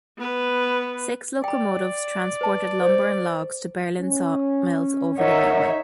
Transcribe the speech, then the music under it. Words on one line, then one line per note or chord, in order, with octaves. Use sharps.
Six locomotives transported lumber and logs to Berlin sawmills over the railway.
B3 B4
D5 G5 B5
B4 A5
C5
C#4
D#4 A#4 C#5 E5 F#5